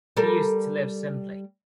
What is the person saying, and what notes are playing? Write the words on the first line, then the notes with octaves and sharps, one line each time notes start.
He used to live simply.
G3 A4 A#4